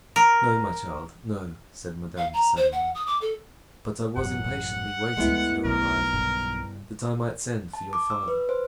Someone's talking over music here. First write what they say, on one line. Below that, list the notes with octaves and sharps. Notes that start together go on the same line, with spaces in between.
"No, my child, no," said Madame de Saint-Meran; "but I was impatiently waiting for your arrival, that I might send for your father."
A#4
F5
A#5
C5
F#5
D#6
D6
A4
A1 F#2 F#5
D2 G#3 A3 B3 E4
B1 A#4
G2 C#3
A5
D6
E6
B4
C5